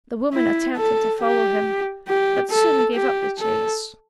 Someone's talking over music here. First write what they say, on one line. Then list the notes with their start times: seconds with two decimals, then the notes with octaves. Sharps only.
The woman attempted to follow him, but soon gave up the chase.
0.34 E4
0.77 A4
1.21 G4
2.08 G4
2.51 A4
2.95 G4
3.39 A4